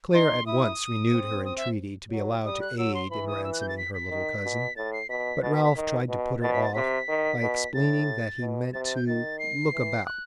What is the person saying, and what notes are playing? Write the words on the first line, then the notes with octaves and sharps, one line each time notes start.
Clare at once renewed her entreaty to be allowed to aid in ransoming her little cousin, but Ralph tried to put her off by explaining that he meant to "look about."
D#4 C6
E4 D#6
C4
D#6
E5
F#3
G3 D#6
F#6
F#3 E6
C6
E3 B5
D#6
E6
F#6
G6
A6
B6
B6
D#3
B2
A2 A6
C7
B2 B6
B2 A6
B6
B6
D#3
B2
B2 A6
B6
A6
C3 B6
D#3
B2
A2 A6
B2
C3 A6
A6
G6
D#3 A6
C7
E3
F#6